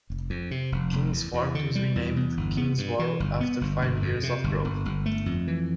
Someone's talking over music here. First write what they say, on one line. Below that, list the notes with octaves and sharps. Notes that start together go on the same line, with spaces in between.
Kings Fort was renamed Kingsboro after five years of growth.
F1
F2
C3
F1
F1
E2
E2
D3
G3
E2
E2
G1
B3
G2
E3
G1
B3
G1
G1
F2
C3
G1
G1
G1
A3
F2
E3